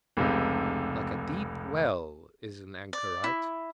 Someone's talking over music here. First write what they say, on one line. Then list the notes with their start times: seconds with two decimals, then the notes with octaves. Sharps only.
Like a deep well is an anchorite.
0.17 F1 C#2 C3
2.93 D5
3.24 E4